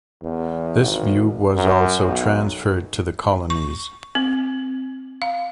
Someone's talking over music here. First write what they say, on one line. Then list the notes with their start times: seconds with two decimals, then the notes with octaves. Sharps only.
This view was also transferred to the colonies.
0.23 E2
0.82 G#1
1.56 F#2
2.07 B1
3.50 C#6
4.15 C4
5.22 F5